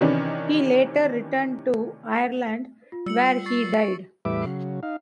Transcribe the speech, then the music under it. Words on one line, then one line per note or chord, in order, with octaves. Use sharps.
He later returned to Ireland where he died.
C3 D#3 E3 C#4 D4
F4
G3 E6 C#7 F#7
C#6 A6 C7
D7
E2 A2 G3 B4 E5 D6
C#3 F#3
D#4 F5